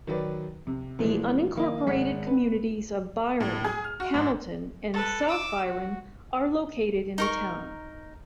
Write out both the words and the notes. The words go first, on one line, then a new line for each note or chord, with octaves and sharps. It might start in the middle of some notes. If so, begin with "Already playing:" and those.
The unincorporated communities of Byron, Hamilton, and South Byron are located in the town.
D#3 F#3 B4 D5
C3
A#2 E3 F3 G#3
D#3 A#3 D#5
G#1 G#3 C#4 F#5 B6
B4
A2
G#4
F6
F#4
G#2
A4 B4
D6 E6
F#4
D#4 A#4 C#6